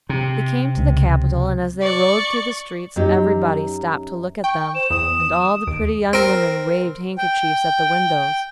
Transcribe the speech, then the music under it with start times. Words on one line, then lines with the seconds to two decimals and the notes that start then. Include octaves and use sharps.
They came to the capital, and as they rode through the streets everybody stopped to look at them, and all the pretty young women waved handkerchiefs at the windows.
0.09 C3
0.78 C#2
1.81 D5 C#6
2.96 F#2 D#4 G4
4.44 G5 C#6
4.75 C5 E7
4.90 E2 D#6
5.67 D#2 D7
6.13 C4 A#4
7.18 G5